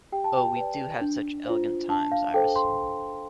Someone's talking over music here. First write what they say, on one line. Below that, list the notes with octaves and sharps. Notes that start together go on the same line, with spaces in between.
Oh, we do have such elegant times, Iris.
G4 G5
A5
G5
B4 D5
D4
F4 C5
D4 A5
F5
A4 C5 G5
C6